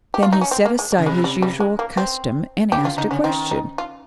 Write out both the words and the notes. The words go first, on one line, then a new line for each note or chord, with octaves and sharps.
Then he set aside his usual custom and asked a question.
G4
F4
D#4
C#4
C4
A#3
G#3
G3
C#3
C3 G#3
G3
G3
G#3
A#3
C4
C3 G4
C#3 F4
C#3 D#4
C#3 C#4
D#3 C4
D#4
F4